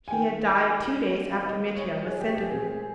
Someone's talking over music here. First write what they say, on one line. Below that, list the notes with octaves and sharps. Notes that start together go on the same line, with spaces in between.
He had died two days after Mitya was sentenced.
G#5
D#3 A#3 G5
D#3 G3 C4 F5
D#5
C#5
A#4
G#4
G4
G4
A#2 G#3 C4 G#4